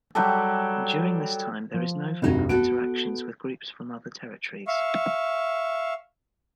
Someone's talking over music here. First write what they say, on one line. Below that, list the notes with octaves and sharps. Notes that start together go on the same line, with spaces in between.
During this time, there is no vocal interactions with groups from other territories.
F#3 G3 G4 A4
F3
F1 C2 G2 E3 D#4 F#4
B3 F#4 A4 D7
E5 F5 C#6